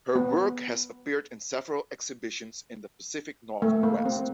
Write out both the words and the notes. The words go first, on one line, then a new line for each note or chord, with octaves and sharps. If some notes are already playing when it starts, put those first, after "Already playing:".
Her work has appeared in several exhibitions in the Pacific Northwest.
B3
A3
A#3
C4